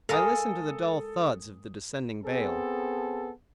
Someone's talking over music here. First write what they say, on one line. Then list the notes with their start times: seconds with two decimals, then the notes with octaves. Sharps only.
I listened to the dull thuds of the descending bale.
0.09 G#3 A4 A#4 F5 D#6
2.25 B3 C4 G#4 A4